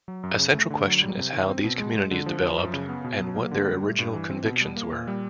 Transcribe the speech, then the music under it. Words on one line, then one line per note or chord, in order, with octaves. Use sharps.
A central question is how these communities developed, and what their original convictions were.
F#3
F#2
C#3
A3
D3
F#3
G3
C3
D#3
C4
B2
G#3
G#3
D3
F3
F3
F#2
C#3
B3
B2
F#3
A#3
D3
G3
A3
G2
E3
C4
B2
G3
A#3
A#2
G3